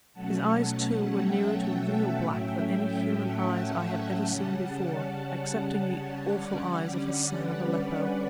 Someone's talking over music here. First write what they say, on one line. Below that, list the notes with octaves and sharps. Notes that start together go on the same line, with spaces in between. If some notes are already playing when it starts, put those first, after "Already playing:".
His eyes, too, were nearer to real black than any human eyes I had ever seen before--excepting the awful eyes of Hassan of Aleppo.
B2 F#3 A3 C#4 F#5 A5
E5 G5
A2 F#3 A3 C#4
E5 G5
F#5 A5
C#3 G3 C#4 F#5 A5
F#5 A5
D3 G3 C#4 D5 F#5
B4 D5
B4 D5